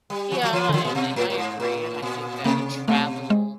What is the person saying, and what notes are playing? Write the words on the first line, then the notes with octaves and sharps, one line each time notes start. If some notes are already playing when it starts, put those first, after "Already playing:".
Yeah, and and I agree, and I think that a travel
G3
F3
F3
E3
D3
D#3 E3
A#2
B2
A2
A2
G#2
A2
A#2
C3 A#3
B2 A3
G#3